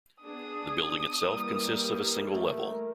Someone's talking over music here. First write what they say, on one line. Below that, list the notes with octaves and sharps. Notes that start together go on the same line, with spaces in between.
The building itself consists of a single level.
B3 D4 G#4 D#6
E3 G3 A#3 A#4
A3